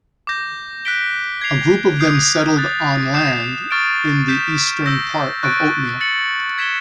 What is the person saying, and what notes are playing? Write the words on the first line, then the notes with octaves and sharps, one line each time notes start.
A group of them settled on land in the eastern part of Oatmeal.
D6 G6 A#6
F#6 B6 D7 G7
G#6 C7 F7
D#6 G6 C7 F7
D#6 F#6 A6
D#6 G6 C7 E7
C#6 F6 A6 D7
G6 B6 E7
E6 G6 A#6
C#6 F#6 A6 D7
A6 C#7 F#7
G#6 B6 E7 G7